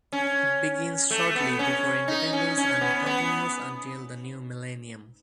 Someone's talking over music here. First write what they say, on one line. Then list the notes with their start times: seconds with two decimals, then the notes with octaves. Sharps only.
It begins shortly before independence and continues until the new millennium.
0.12 C#4
1.11 A3
1.35 B3
1.59 C#4
2.08 D#4
2.33 C#4
2.57 C#4
2.81 B3
3.06 B3